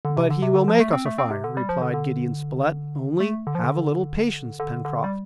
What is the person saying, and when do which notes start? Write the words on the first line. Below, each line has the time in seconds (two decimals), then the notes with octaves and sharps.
"But he will make us a fire!" replied Gideon Spilett, "only have a little patience, Pencroft!"
0.05 D3
0.17 C3
0.30 D3
0.42 C3
0.55 D3
0.68 F3
0.80 A3
0.93 C4
1.06 A3
1.18 C4
1.31 C3
1.44 D3
1.57 G3
1.69 F3
1.82 D3
1.94 D3
3.20 A3
3.47 D3
3.55 F3
3.63 D3
4.60 D3
4.85 D3
5.04 G3